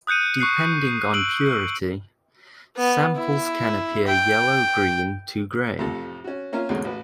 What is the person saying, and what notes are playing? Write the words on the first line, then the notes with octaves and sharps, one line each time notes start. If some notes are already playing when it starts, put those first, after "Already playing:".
Depending on purity, samples can appear yellow-green to grey.
D#6 F#6 G6 C#7 D#7
C#6 F#6 C7 C#7
E6 D7 F#7
B3
E4
G5
A1 F2 A2 C3 A4
C#4 F#4
A#3 C#4 F4 A#4 E5
E2 G#2 B2 D3 A#3 C#4
A1 F#4 B4